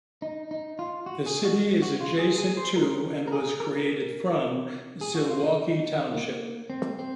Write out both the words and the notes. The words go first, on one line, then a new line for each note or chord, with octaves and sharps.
The city is adjacent to and was created from Zilwaukee Township.
D#4
D#4
F4
F#4
G#4
F#4
F#4
F4
G#4
G#4
C5
A#4
A#4
G#4
A#4
G#4
F#4
F4
D#4
A#3
C4
C4